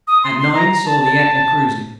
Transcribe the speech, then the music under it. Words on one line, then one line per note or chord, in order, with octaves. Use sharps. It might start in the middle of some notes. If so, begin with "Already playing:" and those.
At nine saw the AEtna cruising.
D#6
C6
C6
A#5
A#5
A5
A5